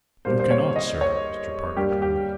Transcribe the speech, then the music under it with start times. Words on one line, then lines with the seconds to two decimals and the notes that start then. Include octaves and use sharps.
"You cannot, sir," Mr. Parker told me.
0.25 G2 G3 A#3 C5
0.40 C5
0.51 C#5
0.76 D#5
1.01 C#5
1.76 G2 G3 A#3 G4
2.02 G4